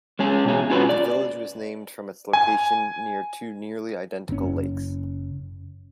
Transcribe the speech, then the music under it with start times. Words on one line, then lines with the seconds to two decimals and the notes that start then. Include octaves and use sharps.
The village was named from its location near two nearly identical lakes.
0.19 G#3 C#4 G#4
0.45 B2 G#4
0.70 C#4 F4 F#4 B4
0.89 D5
2.33 G#5
4.29 F#1 C#4